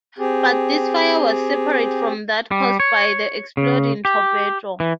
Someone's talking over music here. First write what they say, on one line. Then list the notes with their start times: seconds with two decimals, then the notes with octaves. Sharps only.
But this fire was separate from that caused by the exploding torpedo.
0.19 C4 G4 G#4
2.51 G3
2.80 C#5
3.57 C#3
4.05 G4
4.80 E3